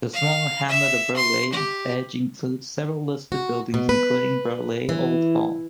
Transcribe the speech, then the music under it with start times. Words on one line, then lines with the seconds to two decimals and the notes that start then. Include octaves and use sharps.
The small hamlet of Birley Edge includes several listed buildings including Birley Old Hall.
0.14 F5
0.68 E5
1.17 C6
1.53 G4
3.32 F#4
3.74 B2
3.89 B4
4.89 E3